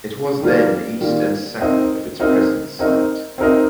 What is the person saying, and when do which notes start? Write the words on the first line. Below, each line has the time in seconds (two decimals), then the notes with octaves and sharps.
It was then east and south of its present site.
0.41 D#3 G3 A#3 F4
1.01 D#3 G3 A#3 F4
1.61 C4 D#4 A#4 D#5
2.20 C4 D#4 A#4 D#5
2.79 C4 D#4 A#4 D#5
3.38 C4 D#4 A#4 D#5